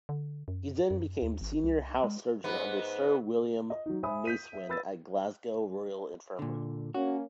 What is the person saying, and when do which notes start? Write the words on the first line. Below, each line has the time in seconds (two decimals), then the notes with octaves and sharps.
He then became senior house surgeon under Sir William Macewen at Glasgow Royal Infirmary.
0.09 D3
0.48 F#2
0.91 F#2
1.22 D#2
1.41 G#1
1.64 C2
2.04 G#3
2.44 G#2 B3
3.70 D#5
3.86 F#3 D#4
4.03 C5 E5 G#5 B5 D#6
4.25 G6 B6 D#7
4.53 E5
4.69 B4 B5 E6 A6
6.39 A#2 D3
6.94 A#3 C#4 F#4